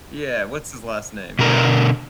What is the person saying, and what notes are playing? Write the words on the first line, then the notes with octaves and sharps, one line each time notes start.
yeah, what's his last name? Yeah.
B2 D3 A#4